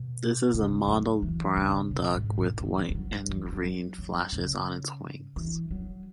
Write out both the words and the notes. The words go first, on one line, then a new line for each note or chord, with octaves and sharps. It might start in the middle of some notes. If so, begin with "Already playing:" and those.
This is a mottled brown duck with white and green flashes on its wings.
Already playing: B2
C#3
F#3
E3
C#3
B2
G#2
B2
E3
E3
F#3
E3
E3
F#3
F#3
C#3
E3
F#3